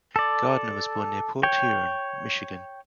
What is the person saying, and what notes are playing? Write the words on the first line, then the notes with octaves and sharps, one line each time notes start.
Gardner was born near Port Huron, Michigan.
A4 D5
C#5 G5